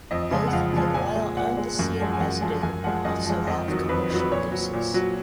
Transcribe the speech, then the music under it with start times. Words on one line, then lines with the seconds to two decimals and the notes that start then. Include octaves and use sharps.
Both the oil and the seed residue also have commercial uses.
0.11 F2 D#5
0.31 C#3 F3 G#3
0.48 F#5
0.53 F2 F5
0.73 C#3 F3 G#3
0.94 A#2 G#5
1.15 G#3
1.37 A#2 F#5
1.57 G#3
1.79 F#2
2.00 F3 G#3
2.13 G#5
2.20 F#2 F#5
2.41 F3 G#3
2.62 F#2 G#5
2.84 F3 G#3 F#5
3.05 F#2 D#5
3.26 F3 G#3
3.47 F2 D#5
3.68 D#3 F#3
3.89 F2 B4
4.10 D#3 F#3
4.20 B4
4.31 A#2 C#5
4.52 F#3
4.73 A#2
4.94 F#3